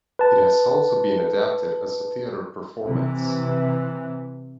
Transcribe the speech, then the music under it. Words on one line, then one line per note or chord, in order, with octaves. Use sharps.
It has also been adapted as a theatre performance.
B4 A5
C3 E3